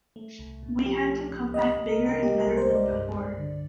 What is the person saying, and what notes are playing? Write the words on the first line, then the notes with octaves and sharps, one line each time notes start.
We had to come back bigger and better than before.
A3
C2
A#2
F3 G4
A3
C2
C2 D#5
C2
A#4
C3
A#4
G3 G4
A#4
C2
C5
C2
D5
G2
G2
D3